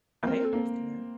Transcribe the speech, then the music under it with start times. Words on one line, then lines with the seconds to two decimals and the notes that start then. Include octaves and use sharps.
I understand.
0.23 A#3
0.27 C4 A#4
0.45 A4
0.53 A#3